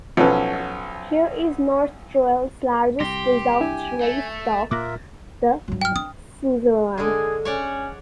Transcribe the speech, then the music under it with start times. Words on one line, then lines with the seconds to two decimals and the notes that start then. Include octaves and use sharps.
Here is north Tyrol's largest preserved raised bog, the "Schwemm".
0.17 B1 F3 C#4 A4 B4
3.00 C2 G4 C6 A#6
3.60 D4 E4 E5 G#5
4.01 A3
4.71 A#2 A#3 F4 A#4 E5 D6 F#6 A#6
5.68 G2 F#3
5.81 G5 F6
5.96 D4 D#6
6.98 D3 G#3 G#4
7.45 C#4 C#5 D5 F#5